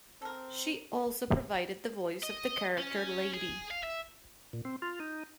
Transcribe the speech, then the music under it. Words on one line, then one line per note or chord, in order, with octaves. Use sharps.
She also provided the voice of the character Lady.
C4 A4 A#4
D#5
C#4
G#4
F5
E5
A#2
C4
F4
D#4